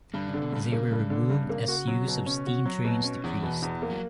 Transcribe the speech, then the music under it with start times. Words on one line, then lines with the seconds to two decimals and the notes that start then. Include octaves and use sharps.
They were removed as use of steam trains decreased.
0.14 G2 D3
0.28 C#3
0.34 D3
0.41 B2
0.52 G2 C#3
0.72 A#3
0.92 G2
1.10 D3
1.30 G2
1.49 A#3
1.68 F#4
1.87 F#3
2.07 B2
2.26 C#4
2.46 F#4
2.66 F#3
2.84 B2
3.04 C#4
3.24 E2 E3
3.43 B2
3.62 E2
3.82 A#3
3.90 F#3